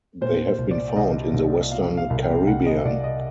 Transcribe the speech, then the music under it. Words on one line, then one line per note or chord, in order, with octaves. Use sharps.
They have been found in the western Caribbean.
A#2 C5
C5
C2
D5
C2 D#5
C2
B2 F5
F5
C2
G5
C2 F#5
D#5
C2 D5
D#5